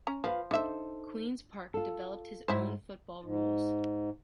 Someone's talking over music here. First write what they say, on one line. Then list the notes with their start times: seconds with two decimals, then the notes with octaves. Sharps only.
Queen’s Park developed his own football rules.
0.07 C#4 A#5
0.24 F3 F4 B4 F5
0.51 D3 D#4 A4 C5 E5
1.74 F4 A4
2.48 G#2 F#3 E4 C5
3.24 G#2